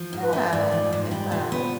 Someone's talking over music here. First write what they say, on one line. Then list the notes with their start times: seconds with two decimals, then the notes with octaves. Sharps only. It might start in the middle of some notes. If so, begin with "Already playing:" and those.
Yeah, yeah.
Already playing: F3
0.13 G#2
0.22 B4
0.33 A3
0.52 G#2 D5
0.72 F3
0.93 G#2
1.11 G3
1.32 A#2
1.52 B3
1.60 C5